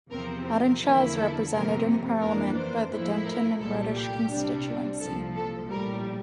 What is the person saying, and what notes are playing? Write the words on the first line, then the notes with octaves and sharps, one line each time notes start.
Audenshaw is represented in Parliament by the Denton and Reddish constituency.
E2 C3 F3 C4 A#4
A#4
E2 D3 F3 A#3 E4
A4
G1 F2 C3 F3 A#3 A#4
F2 E3 A#3 D4 A#4
C5
A2 F3 A3 E4
A#4
C2 A#2 G3 A4
G4
C2 C3 G3 D4
C2 A#2 F3 A4
A4
A#1 A2 G3 A#4